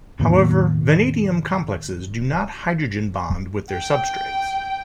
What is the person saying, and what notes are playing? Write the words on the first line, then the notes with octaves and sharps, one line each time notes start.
However, vanadium complexes do not hydrogen bond with their substrates.
E2 A2 D#3 A#3
G5